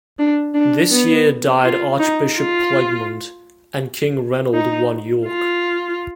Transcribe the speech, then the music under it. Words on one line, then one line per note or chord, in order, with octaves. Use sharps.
This year died Archbishop Plegmund; and King Reynold won York.
D4
D4
B3
F4
D#4
F4
D#4
F4